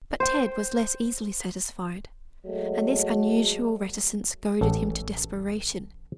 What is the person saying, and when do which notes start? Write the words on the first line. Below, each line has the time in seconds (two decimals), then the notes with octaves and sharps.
But Ted was less easily satisfied, and this unusual reticence goaded him to desperation.
0.20 C5 G5
2.46 F#3 G#3 A3
4.61 A1 A4